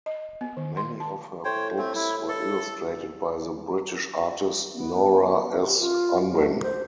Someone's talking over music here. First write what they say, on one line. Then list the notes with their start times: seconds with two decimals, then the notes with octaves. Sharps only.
Many of her books were illustrated by the British artist Nora S. Unwin.
0.06 D#5
0.41 B3
0.57 D#3
0.77 C6
1.00 A5
1.45 A2 C5 C#5 G5
1.78 A3 C4
1.95 E4
2.29 A4
4.74 B3
5.60 G4
5.80 F4
6.35 A3
6.63 C5